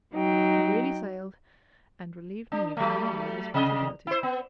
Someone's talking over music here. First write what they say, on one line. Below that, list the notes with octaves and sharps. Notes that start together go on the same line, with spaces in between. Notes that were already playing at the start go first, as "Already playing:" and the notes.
'Really sailed, and relieved me from many responsibilities.
F#3 D#4 G5
D4
F#3 A3
C3 D#5
E4 C5
B3